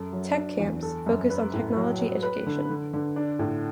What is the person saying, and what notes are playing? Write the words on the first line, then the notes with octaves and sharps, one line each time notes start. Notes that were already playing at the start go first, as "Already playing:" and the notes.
Tech camps focus on technology education.
Already playing: F#2 A4
F#3
D4
E2
A4
F#2
B4
A2
F#3
F#3
B4
D3
D3
D3
D4
A2